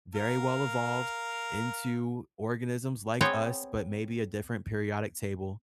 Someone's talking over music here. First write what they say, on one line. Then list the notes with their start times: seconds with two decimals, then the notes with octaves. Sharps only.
very-well evolved into organisms like us, but maybe a different periodic table,
0.15 A#4 F5
3.21 B3 C4 G#4 C#5 G5